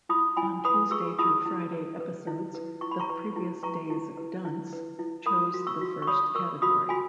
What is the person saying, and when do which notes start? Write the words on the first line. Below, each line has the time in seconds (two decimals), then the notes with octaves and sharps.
On Tuesday through Friday episodes, the previous day's dunce chose the first category.
0.09 E4 B5 D#6
0.37 E4 G#5 B5
0.65 B4 B5 D#6
0.91 G#4 C#6 E6
1.18 E4 B5 D#6
1.45 E4
1.72 B4
2.00 B4
2.27 E4
2.55 B4
2.81 E4 C#6
2.91 B5
2.99 A#5 C#6
3.10 B4
3.36 E4
3.63 B4 A#5 C#6
3.90 E4
4.17 B4
4.45 E4
4.73 B4
4.99 E4
5.26 A#4 B5 D#6
5.54 F#4
5.67 C#6 E6
5.81 F#4
6.02 C#6
6.07 C#5 B5 D#6
6.35 A#4 C#6 E6
6.62 F#4 B5 D#6
6.89 F#4 G#5 B5